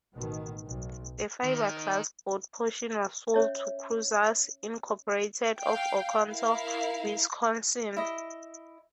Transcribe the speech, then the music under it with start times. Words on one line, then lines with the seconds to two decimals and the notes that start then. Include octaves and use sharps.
The fiberglass boat portion was sold to Cruisers, Incorporated of Oconto, Wisconsin.
0.15 A1 B2 D#3
0.66 B1
1.44 D#3
3.34 C#4 C#5 E5
5.61 F5 G5
6.30 E4 A#4 F5
7.97 E4 D#5